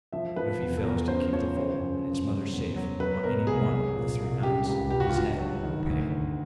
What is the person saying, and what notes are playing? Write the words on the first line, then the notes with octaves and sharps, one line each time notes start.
But if he fails to keep the foal and its mother safe on any one of the three nights his head will pay.'
F3 E5
F3 B4
E2
A4
E2 A#4
C#3 C5
F3 C#5
C#3 C5
F#2
C#3
F#3
E2
F#3
F#3 B4
B2 A#4
C2 G#4
F#3
A#2
C2
C#3 G4
C#2 G4
C#2 G4
F#4
F4
G2 F#4
F#3
D#3
D2
D2